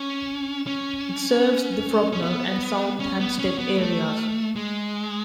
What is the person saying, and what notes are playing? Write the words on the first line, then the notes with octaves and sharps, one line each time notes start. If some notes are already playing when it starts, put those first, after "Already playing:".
It serves the Frognal and South Hampstead areas.
Already playing: C#4
C#4
C#4
B3
C#4
B3
C#4
B3
A3
G#3